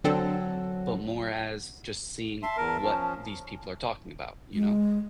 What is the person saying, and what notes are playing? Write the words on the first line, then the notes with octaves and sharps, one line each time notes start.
but more as, just seeing what these people are talking about, you know?
D3 F#3 C4 A4
E5 A5 C6
E2 A#4
F3 C#4
G#3